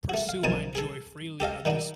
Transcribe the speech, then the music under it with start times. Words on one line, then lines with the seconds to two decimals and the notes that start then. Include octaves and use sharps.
pursue my joy freely, I just
0.09 A3 F#4
0.29 F5
0.43 B1 F3 A#3 D#4 G#5 A5
0.75 G#4 A4
1.40 G4 A4 D#5 F5
1.65 D#3 D4 D#4 F#4